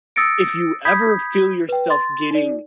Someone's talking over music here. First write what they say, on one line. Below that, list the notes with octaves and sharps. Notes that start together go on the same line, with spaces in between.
if you ever feel yourself getting
D#6 E6 A6 A#6 C#7 D7
B5 D#6 G6 G#6 B6
B4 G5
C6 A6
D#4 D5